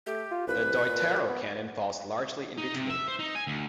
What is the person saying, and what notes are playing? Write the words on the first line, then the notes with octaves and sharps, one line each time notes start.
The Deuterocanon falls largely in between.
A3 G4
F4
C2 B4
A#2
B3
D#4
C3
E5
C5
D#4
G#5
D2